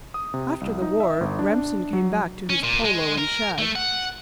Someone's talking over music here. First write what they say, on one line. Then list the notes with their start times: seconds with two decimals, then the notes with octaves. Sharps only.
After the war Remsen came back to his polo and shad.
0.14 D#6
0.34 C3
0.61 C2
0.82 D#4
1.00 E5
1.21 G1
1.39 D4
1.93 F#3
2.49 C#4
2.63 A#2
2.85 G#3
3.18 A#4
3.58 A3
3.75 F#5